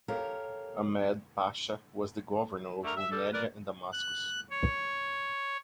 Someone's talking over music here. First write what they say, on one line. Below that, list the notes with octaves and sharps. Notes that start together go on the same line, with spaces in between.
Ahmed Pasha was the governor of Rumelia and Damascus.
G4 A4 A#4 C#5 F5
D3 A3 A#4
E5
G3 A4
A#4 B4 D5
F#6
C#5